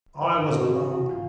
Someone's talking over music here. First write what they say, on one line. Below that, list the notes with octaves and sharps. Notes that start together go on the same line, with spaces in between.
I was alone.
G#2 C5
G#2
F#4
E3
E3 F#4
G#2
F4